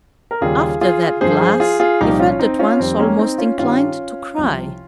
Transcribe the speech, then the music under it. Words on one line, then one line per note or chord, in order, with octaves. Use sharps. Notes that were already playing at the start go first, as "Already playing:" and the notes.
After that glass he felt at once almost inclined to cry.
A#4
D#2 C#3 G3 F4 G#4
F4 G#4
G2 F3 G#4 C5
G#4 C5
F4 G#4
F4 G#4
C2 A#2 F3 D#4 G4
C#4 F4
C4 D#4
C#4 F4
F2 D#3 G3 C4
A#3 C#4
C4 D#4
C#4 F4
G2 D#3 G3 C#4 F4
C2 C3 F3